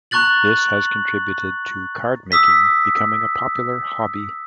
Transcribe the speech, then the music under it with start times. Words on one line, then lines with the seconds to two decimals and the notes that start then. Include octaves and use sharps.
This has contributed to cardmaking becoming a popular hobby.
0.11 A#5 C#6 F#6 A6 F#7
2.32 D#6 E6 B6